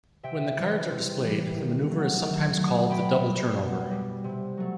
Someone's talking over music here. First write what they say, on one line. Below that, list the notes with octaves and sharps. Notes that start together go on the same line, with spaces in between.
When the cards are displayed, the maneuver is sometimes called the "double turnover".
C3 E5 G5
E3 G3
C3
E3 G3
D#3
F#3 A3
D#3
F#3 A3
B2 G5 B5
G3
B2
G3
C3
F#3 A3